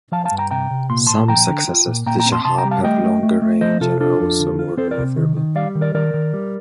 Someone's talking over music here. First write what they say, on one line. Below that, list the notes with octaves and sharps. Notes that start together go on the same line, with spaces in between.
Some successors to the Shahab have longer range and are also more maneuverable.
F3 F5 A5
F5 A5
G2
G5 A#5
C3 G5 A#5
C3
A#2 C6
A#2 A5 C6
F3 G5 A#5
D3
F4
A#2
A#2 G5 A#5
G5 A#5
C4
A5 C6
C3 A5 C6
G5 A#5
G3
F5 A5
A3 D#5 G5
A3
A3
A3
F3 C5 D#5
C3 F4 A4
D4 F4 A4
F2
D3
F4
C4 A4 C5
A#4 D5
C3
D#3
D#3
G3 D5 F5
D#3
A#4 D5
D#3 A#4 D5
D#3
G3